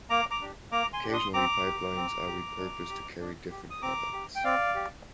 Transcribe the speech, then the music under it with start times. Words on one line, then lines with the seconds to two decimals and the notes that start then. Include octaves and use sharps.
Occasionally pipelines are repurposed to carry different products.
0.10 A#3 A#5 D6
0.31 A#5 D6
0.41 D4 G4
0.71 A#3 A#5 D6
0.93 G#5 C6
1.03 D4 G4
1.13 C6 D#6
1.34 C4 A#5 D6
1.65 G4
1.96 C4
2.27 G4
2.58 D4
2.89 G4
3.20 D4
3.51 G4
3.70 D#6
3.82 C4 A#5 D6
4.13 G4
4.35 G5
4.44 C4 D5 F5
4.75 G4